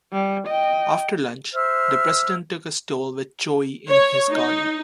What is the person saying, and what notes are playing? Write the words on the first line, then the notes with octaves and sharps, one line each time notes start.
After lunch, the president took a stroll with Choi in his garden.
G3
D#5 G5
C5 E5 E6 F6
C#5
D#4